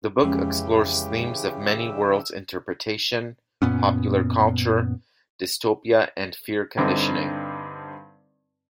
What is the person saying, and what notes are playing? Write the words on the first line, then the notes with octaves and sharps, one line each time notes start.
The book explores themes of Many-worlds interpretation, Popular culture, Dystopia and Fear conditioning.
F2 C#3 E3 G#3 C#4 G4 E5
E6
F#2 A#2 B3 C#4
G2 D3 C4 D#4